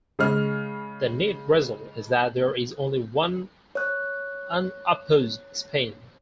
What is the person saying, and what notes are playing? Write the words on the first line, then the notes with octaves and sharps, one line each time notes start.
The net result is that there is only one unopposed spin.
C#3 G#3 F6
C#5 F#6